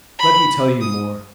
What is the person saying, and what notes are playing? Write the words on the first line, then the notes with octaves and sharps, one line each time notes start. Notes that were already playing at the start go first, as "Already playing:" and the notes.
Let me tell you more.
B5
D#6